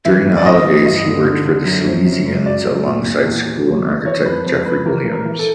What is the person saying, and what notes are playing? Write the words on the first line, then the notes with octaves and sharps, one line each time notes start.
During the holidays he worked for the Salesians alongside school architect Jeffrey Williams.
E3 E5
A2
D5
A2 D#5
E3
G2 D#5
D3
D3
D3
F#2
F3
F#2
F#2
F#3 D5
F#3
A#2
A#2
E2
E2
F#3
E2
E3 C#5
F2 B4
F2 C5
F2 B4
E3 A#4
E3
A#4
E3
A4